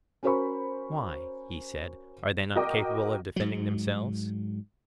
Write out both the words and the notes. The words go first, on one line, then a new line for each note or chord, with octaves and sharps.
Why? he said; are they not capable of defending themselves?
C#4 F#4 A#4 C5 B5 C#6
F#4 A#4 D#5 G5 D6
G#2 F#3